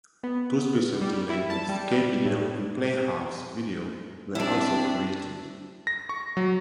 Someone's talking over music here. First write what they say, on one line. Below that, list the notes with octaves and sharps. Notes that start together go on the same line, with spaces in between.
Two specialty labels, Key Video, and Playhouse Video, were also created.
B3
G3
E4
A5
G3
A2
G3 C4 D4 E4 E5 A5
A#6
C#6
F#3